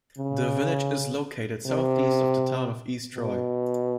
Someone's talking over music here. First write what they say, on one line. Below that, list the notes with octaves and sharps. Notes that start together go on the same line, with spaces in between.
The village is located southeast of the Town of East Troy.
C#3
C3
B2